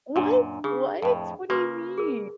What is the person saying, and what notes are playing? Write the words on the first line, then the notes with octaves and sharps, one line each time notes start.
What? What? What do you mean?
F#2 A#2 D4
C#3 G#4
F2 A2
C#3 A#3 B4 C6
G#4 A#4